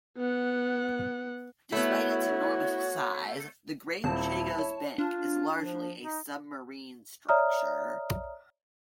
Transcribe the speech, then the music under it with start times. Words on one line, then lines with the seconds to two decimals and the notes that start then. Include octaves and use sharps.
Despite its enormous size, the Great Chagos Bank is largely a submarine structure.
0.17 B3 F#5
1.72 A3 B3 E4 F#4 C#5
4.04 D#1 C4 E4 A5
4.58 C#5
4.98 D4 F4
5.58 F3
6.03 D#4
7.29 C#5 D5 E5 A#5 D#6 F6